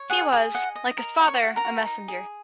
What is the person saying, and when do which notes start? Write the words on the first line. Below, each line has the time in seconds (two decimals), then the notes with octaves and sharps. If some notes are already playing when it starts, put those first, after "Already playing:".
He was, like his father, a messenger.
Already playing: C#5
0.10 G#4 F#5
0.33 G#4
0.54 D#5 F#5
0.75 D#5
0.98 A#4
1.20 F#4
1.27 C#5 C#6
1.43 F#4
1.56 A#4 A#5
1.65 F#4
1.86 D#4
2.08 G#4